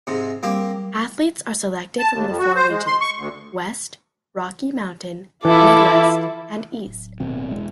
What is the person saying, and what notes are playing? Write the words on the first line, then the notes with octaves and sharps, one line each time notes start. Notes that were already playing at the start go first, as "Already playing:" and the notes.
Athletes are selected from the four regions: West, Rocky Mountain, MidWest, and East.
G#2 C3
G3 A#3 C4 G4
A5
D#2
F2
F#4
C5
G#3
C6
C#6
D2
E3 E4 F4 A4 E5 D6
D1
D#2 B2 C4
E1 G#3